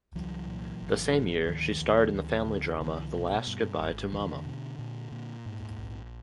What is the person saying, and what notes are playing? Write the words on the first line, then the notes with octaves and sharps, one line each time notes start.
The same year she starred in the family drama "The Last Goodbye to Mama".
C2 E3 F#3
A#2
G#1
G#2
D2 D#3 F3
D2
D2
D3
C2 D3 E3
B2
G2
G#1
E2 D#3
D3
D3
B2
A#2
A#2
G#2
A#1